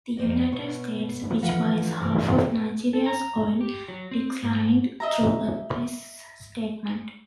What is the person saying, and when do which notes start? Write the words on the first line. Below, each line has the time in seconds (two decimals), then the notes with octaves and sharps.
The United States, which buys half of Nigeria's oil, declined through a press statement.
0.17 F2 C5 D5 D#5
0.52 B2 C#5
1.42 D3 E3 F3 F4 E5 F#5
2.00 G2 C3 E3 A#4 D5
2.51 B2
2.93 A4
3.06 A#5
3.61 G4
3.88 F#3
4.11 C4
4.43 G#2
5.00 D#5 E5 A#5